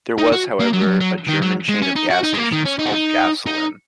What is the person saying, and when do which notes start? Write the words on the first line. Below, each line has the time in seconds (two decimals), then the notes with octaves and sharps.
There was, however, a German chain of gas stations called Gasolin.
0.18 D#4
0.32 F#4
0.60 A#3
0.73 F#3
0.82 G#3
0.87 F#3
1.01 F#3
1.28 D#3
1.42 F#3
1.69 G#3
1.82 C#4
1.96 D#4
2.10 F#4
2.23 D#4
2.33 G#3
2.37 A#3
2.52 D#3
2.65 C#4
2.79 D#4
2.86 F#4
2.92 D#4
3.46 D#4